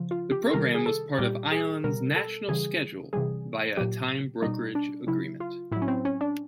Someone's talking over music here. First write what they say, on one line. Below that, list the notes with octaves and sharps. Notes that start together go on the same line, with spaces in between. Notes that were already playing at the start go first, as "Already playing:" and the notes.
The program was part of Ion's national schedule via a time brokerage agreement.
Already playing: C#3 F3
F4
G4
A4
C3 D#3 G3 A#4
G#4
A4
A#2 G3 G4
G#4
B2 G3 A#4
A4
C#3 E3 G3 G#4
C3 E3 G3 G#4
A#2 F#3 G4
B2 G3 D#4
D4
C#3 F#3 E4
F4
A2 F#3 E4
C#4
C4
C#4
D4